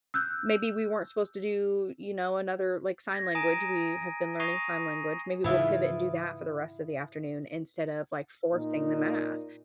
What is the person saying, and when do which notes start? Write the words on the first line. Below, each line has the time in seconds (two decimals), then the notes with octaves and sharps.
maybe we weren't supposed to do, you know, another like, sign language, we have been learning sign language. Maybe we'll pivot and do that for the rest of the afternoon instead of, like, forcing the math.
0.14 E6 F#6 G6
3.13 G#6 A#6
3.35 G#5 A#5 D#6 A#6 D7 D#7
4.40 C#6 D#6 A#6 C7 D#7 F7
5.44 G#2 C#3 E3 B3 E4 F4
8.52 A#2 D#4